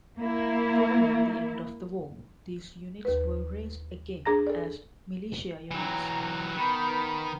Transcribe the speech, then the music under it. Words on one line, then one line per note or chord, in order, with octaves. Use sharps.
Following the end of the war, these units were raised again as militia units.
A#3 E4
D#2 B4
D4 G#4 A#5 A#6
A4 D5
E3 F#3 G5 A#5
D#3 B3 B5